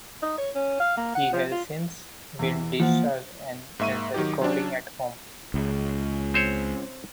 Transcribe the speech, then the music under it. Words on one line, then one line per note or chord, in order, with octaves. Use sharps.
He has since been discharged and is recovering at home.
D#4
C#5
C#4
F5
A#3
F#5
F3
F4
E2 E3
E3 F3 A#3 F#5
G#2 A#3 E5 C#6 D#7
D#3 F#3 D#4 G4
F#3 C#4 D4
C#2
C4 C5 C#5